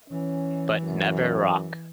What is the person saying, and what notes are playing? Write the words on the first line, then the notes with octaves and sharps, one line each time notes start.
But never rock.
E3 C#4
F#2